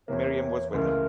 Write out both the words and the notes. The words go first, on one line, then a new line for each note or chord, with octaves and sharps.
Miriam was with him.
E2 E3 A#3 C#5
C#2 C#3 E3 A3 A#4